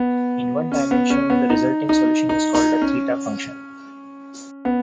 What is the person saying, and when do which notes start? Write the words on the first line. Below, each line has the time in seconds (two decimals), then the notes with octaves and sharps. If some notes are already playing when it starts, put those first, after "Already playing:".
In one dimension, the resulting solution is called a theta function.
Already playing: B3
0.72 C#4
0.91 B3
1.10 C#4
1.30 B3
1.50 D#4
1.89 D#4
2.29 D#4
2.54 D#4
2.82 C#4
4.65 B3